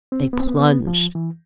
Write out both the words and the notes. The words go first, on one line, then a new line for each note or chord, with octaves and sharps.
They plunged.
C4
B3
C4
B3
B3
F3
E3